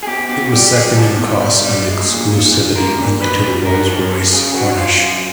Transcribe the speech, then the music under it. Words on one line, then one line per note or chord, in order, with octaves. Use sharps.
It was second in cost and exclusivity only to the Rolls-Royce Corniche.
G#4
B2 G4
B2 G4
F#4
G3 G4
G4
G3 G#4
B2 A4
B2
G3
G3
G#3
A#2
A#2
F3
G#3 A#4
A#2
A#2 B4
F3
F#3 A#4
F#2 A4
F#2 A4
C#3 G#4
F#3 F#4
F#2 F4
F#2